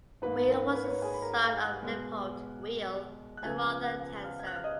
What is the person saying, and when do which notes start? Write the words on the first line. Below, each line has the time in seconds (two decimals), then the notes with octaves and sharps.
Weil was the son of Leopold Weil and Martha Tanzer.
0.22 G#2 D#3 A#3 B4
0.49 A#4
0.75 B4
0.84 C#5
0.91 B4
1.02 G#4 G#5
1.14 B5
1.22 A#4 A#5
1.42 F5 F6
1.63 F#5 F#6
1.83 B2 G#3 B3
3.37 F#6
3.43 C#2 C#3 F3 B3 G#5 G#6
3.83 F#5 F#6
4.24 F5 F6
4.39 G#6
4.47 F#6
4.56 F6
4.64 D#5 D#6